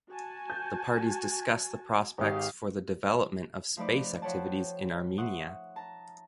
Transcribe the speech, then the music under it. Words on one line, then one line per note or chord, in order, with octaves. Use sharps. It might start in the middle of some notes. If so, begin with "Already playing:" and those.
The parties discussed the prospects for the development of space activities in Armenia.
F#4 G#5 A5
G6
G#1 G4 F5 D#6
F3 A3 D#4 B4 D5
F3 B4 C#5 F#5 G5 A5
E5 F#5 C6 C#6 D#6
A5 A#5